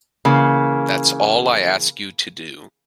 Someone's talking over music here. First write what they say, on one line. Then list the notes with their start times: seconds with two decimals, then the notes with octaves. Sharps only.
That's all I ask you to do.
0.25 C#3 E3 A#3